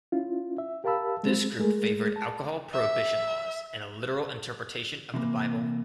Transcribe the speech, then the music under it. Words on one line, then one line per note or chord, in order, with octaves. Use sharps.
This group favored alcohol prohibition laws and a literal interpretation of the Bible.
C#4 E4 F4
E5
G4 A#4 F5 A5 B5 E6
G#3 C4
G#3 A3 G#4 A#4
A5
E5
C3 E3 A#3